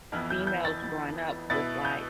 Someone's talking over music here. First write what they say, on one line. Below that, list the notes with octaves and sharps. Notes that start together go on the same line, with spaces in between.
females growing up with, like,
F2 E3 B3 E4 F6
G6
G6
A6
B2 B3 E4 A6
G6